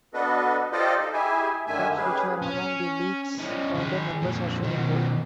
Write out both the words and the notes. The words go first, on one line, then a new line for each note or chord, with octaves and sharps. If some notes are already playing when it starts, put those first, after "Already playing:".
Clubs which were among the league's founder members are shown in bold.
B3 D4 F#4 A4 B4 D#5
F4 G4 A4 C5 D5 D#5
D#4
E4 G4 G#4 E5 G#5
F#2 D3 D#3 A3 E5 G#5
C#4 G4 G#4 B4
C#4
C#4 D#4
D#3 G#4
F2 A#2
B2 D#3